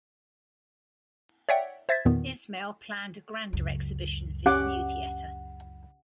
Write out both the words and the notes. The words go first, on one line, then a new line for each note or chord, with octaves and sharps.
Ismail planned a grander exhibition for his new theatre.
C#5 D5 E5 F#5 G5
C5 E5 G#6 A6 B6
E2 A#2 D#3 B3
C#2 F#2
C#4 G4 F#5 D6